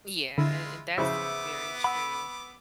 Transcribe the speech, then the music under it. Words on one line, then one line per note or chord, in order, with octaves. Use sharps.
Yeah. And and that's very true.
D3 G#3 E4 F4
C#3 B3 E4 C5 E5 D6
F#5 B5 E6